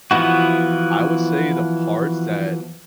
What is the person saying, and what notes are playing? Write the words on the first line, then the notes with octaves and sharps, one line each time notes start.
I would say the parts that,
E3 F3 B3 E4 F#4